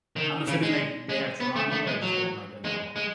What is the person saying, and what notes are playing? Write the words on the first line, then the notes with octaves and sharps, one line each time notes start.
I'm assuming, like, they have trauma or they just don't like guns at all.
D#3
C#3
G#3
G#3
B3
A3
A3
G#3
F#3
G#3
G#3